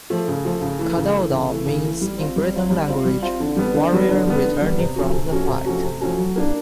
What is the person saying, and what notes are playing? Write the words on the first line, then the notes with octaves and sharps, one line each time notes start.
Cadoudal means in Breton language "warrior returning from the fight".
F3 A3
C#3
F3 A3
C#3
E3 A3
C#3
E3 A3
C#3
E3 A3
C#3
E3 A3
G3
C4 F4
G3
C4 F4
G3
C4 F4
G3
C4 F4
D3
G3 B3
D3
G3 B3
D3
G3 B3
D3
G3 B3
C3
F3 A3 C#4 F#4
C3
F3 A3 C#4 F#4
C3
F3 A3 C#4 F#4
C3
F3 A3 C#4 F#4
F#3
A#3 D4